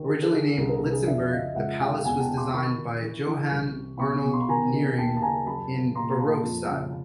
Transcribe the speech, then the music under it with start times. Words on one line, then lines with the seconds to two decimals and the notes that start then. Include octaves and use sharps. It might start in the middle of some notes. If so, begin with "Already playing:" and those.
Originally named "Lietzenburg", the palace was designed by Johann Arnold Nering in baroque style.
Already playing: D#3
0.09 D3 A4
0.23 A4
0.34 D3 G#4
0.58 C2 G#4
0.69 A#4
0.75 A4
0.82 C3
0.90 G#4 A#4
1.06 F2 D5 E5
1.31 C#3 D#5 F5
1.55 C#2 E5 F#5
1.80 C3 F5 G5
2.05 E2 F#5 G#5
2.20 G5 A5
2.29 C3
2.37 C6 D6
2.53 D#3 B5 C#6
2.78 D#3
3.02 E3
3.27 E3
3.51 C2
3.76 C3
3.99 B2 B5 C#6
4.25 B2 C#6
4.33 C6
4.41 B5
4.49 D#3 G#5 A#5
4.73 D#3
4.97 D#2 G5 A5
5.17 A5
5.22 C#3 G#5 A#5
5.46 F#2 A5 B5
5.70 C#3
5.95 A#2 A#5 C6
6.09 A#5
6.19 A#2 A5 B5
6.44 F2
6.68 C#3